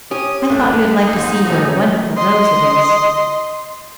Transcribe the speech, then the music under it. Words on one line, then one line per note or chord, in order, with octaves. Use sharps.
I thought you would like to see what a wonderful rose it is.
C#4 G4 D#6
G2 A3 D4
D#4
D#2 G#2
F#2 A3 C#4
D#5 C6